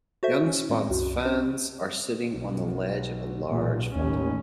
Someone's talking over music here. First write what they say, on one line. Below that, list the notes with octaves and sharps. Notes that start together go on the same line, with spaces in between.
Young spots fans are sitting on the ledge of a large fountain.
F#4 A4 C5 E5
C#4 C#5
A2 G#3 C4
C2 F#2 F#4
C#4 C5
B1
B1 A#2
A1 D#2 C#4